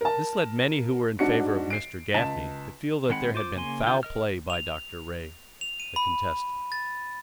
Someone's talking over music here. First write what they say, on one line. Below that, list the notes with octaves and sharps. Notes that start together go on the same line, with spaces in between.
This led many who were in favor of Mr. Gafney to feel that there had been foul play by Dr. Ray, the contestant.
A#4 A5
G#2 D4 F#4 C#7
C7 D7
C#2 A5 B6 E7
D#3 G#3 C4 F#5 B5
F4 C5 D6
C#3 A#3 G#5 C6
D3 F4 G5
A#4 D#5 F6
F7
F7
D#7
B5
A6